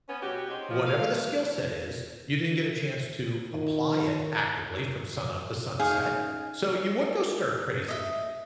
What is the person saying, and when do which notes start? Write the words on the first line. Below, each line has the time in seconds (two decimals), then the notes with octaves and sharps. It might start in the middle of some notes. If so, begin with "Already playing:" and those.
whatever the skill set is, you didn't get a chance to apply it actively from sunup to sunset. So you would go stir crazy
0.09 B3 C#4
0.23 B2 F#4 G4
0.50 C4 D#4 G4 G#4 C#5
0.70 F3
0.87 F5
3.53 D#3
5.80 C#4 D#4 G#4 F5 G#5
7.88 D#5 E5